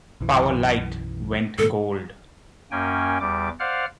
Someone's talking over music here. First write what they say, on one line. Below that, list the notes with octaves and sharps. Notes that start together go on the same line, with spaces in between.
"Powerlight" went Gold.
B1 F#2 E3
G#2 D#3 A4
F#2 A#3 C#4 G5 G#5
E2 G3 D6
C5 D5 F5 F#5 F6